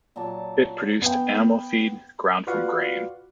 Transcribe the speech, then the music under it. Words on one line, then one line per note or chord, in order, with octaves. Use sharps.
It produced animal feed ground from grain.
A#2 F#3 D5 A5
B3 G5
F4 F#4 B4 D5 F5 F#5